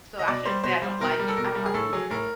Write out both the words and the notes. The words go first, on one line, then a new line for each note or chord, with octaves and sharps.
so I shouldn't say I don't like it. I don't like the look of it.
D#5
B2 D5
G3 C5
B2 C5
G3
B2 A#4
G3
A4
B2 A#4
G3
G#4
A2 A4
F#3 G#4
A2 A#4